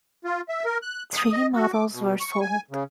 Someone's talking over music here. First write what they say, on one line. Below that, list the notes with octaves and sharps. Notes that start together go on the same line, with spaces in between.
Three models were sold.
F4
E5
A#4
F#6
D#6
D#5
F#4
D6
B2
C#6
G#5
C#3